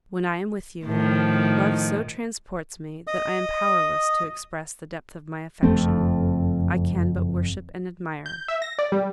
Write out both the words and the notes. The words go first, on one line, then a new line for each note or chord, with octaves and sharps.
When I am with you, love so transports me that I am powerless to express the depth of my affection; I can but worship and admire.
A2 D#3 F3
D#5 D#6
F#1 F2 A3 C4
G6
E5
A#6
D5
G3